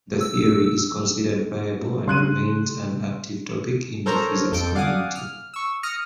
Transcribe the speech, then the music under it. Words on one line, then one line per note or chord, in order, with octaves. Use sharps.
The theory is considered viable and remains an active topic in the physics community.
E6
C#3 C6 F#6 D#7
A4 A#4 C5 C#5 A#5
F2 A4 G6 D7
D5 F5 F#5 G#5 D6 D#6
F6
C#6 E6
D#6 F6 A#6 C#7